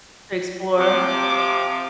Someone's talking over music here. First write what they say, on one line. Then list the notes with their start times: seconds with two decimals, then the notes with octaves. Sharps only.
To explore?
0.78 C3 F3 D6